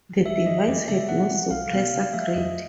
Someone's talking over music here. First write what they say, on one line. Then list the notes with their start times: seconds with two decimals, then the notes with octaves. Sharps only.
The device had no suppressor grid.
0.25 A#1 E5
0.46 G#2 D#3 G#3 D#5
0.67 F#2 D5
0.88 C#3 F#3 B3 D4 E5
1.09 B2 F#5
1.30 G#3 C4
1.50 B1 F5
1.71 B2 G3 B3 F5
1.93 C#3 F5
2.13 F3 A3 E5
2.34 F2 D#5